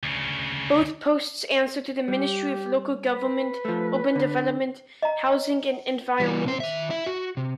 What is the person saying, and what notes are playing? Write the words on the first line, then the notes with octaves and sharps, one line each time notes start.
Both posts answer to the Ministry of Local Government, Urban Development, Housing and Environment.
D2 C#3
G3 G4
B4
F3 A3
D3
D#5 A#5
E3 G3
C3 C5
D#3 E5
E4 E5
F#4
C3